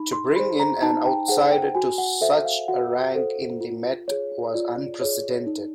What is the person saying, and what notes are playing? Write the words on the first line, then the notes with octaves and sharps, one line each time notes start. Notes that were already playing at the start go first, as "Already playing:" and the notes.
To bring in an outsider to such a rank in the Met was unprecedented.
Already playing: D#4 B5
C6
G#4 C5 B5
A#5
D#4 A5
G5
G#4 C5 F#5
G5
F#4 G#5
F#5
A4 C5 E5
F5
F#4 F#5
A4 C5
F4
G#4 C#5
F4 D5
G#4 C#5
D#4